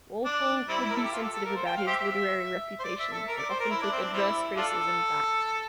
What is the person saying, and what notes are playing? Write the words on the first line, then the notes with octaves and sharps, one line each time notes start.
Walpole could be sensitive about his literary reputation and often took adverse criticism badly.
D4
G3 C4 E4
A#4
A4
G4
F4
A4
A4
A#4
C5
G5
F5
G4 C5 E5
C5
D5
E5
A4
A#4
D5
C5
A#4
E4
D4
C4
D4
G3 C4 E4
D4 F4 A4